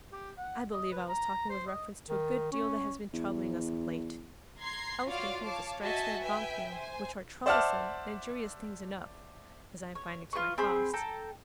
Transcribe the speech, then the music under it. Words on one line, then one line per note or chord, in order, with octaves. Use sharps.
'I believe I was talking with reference to a good deal that has been troubling us of late; I was thinking of the strikes we have gone through, which are troublesome and injurious things enough, as I am finding to my cost.
G4
F#5
D#5
B4
A#5
C5
D#5
D#3
C#4
E2
A#5 C6 G#6 C7
F4 F#4 C#5 D5 F5
C#5 F5 A5 D6
F#4 D#5 E5 G#5 A5
B4 E5 G5 G#5
C5 G#5
C5 D5 E5 F#5 A5 F6
C#5
F4 G#4 B4 C#6
C4 G#4 B5 C#6
A4 G5 A#5